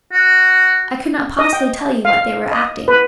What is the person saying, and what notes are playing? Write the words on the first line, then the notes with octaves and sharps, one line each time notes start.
I could not possibly tell you what they were acting.
F#4
D#5
G5
F5
D#5
B4